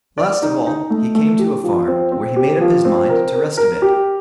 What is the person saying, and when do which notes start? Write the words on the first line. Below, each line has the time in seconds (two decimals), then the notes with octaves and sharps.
Last of all, he came to a farm, where he made up his mind to rest a bit.
0.18 D5
0.42 D#4
0.67 D#4
0.90 A3
1.15 A3
1.39 G4
1.64 F3
1.88 C4
2.12 C4
2.36 G4
2.60 F3
2.85 C4
3.09 A#4
3.33 A#4
3.57 A#4
3.82 G4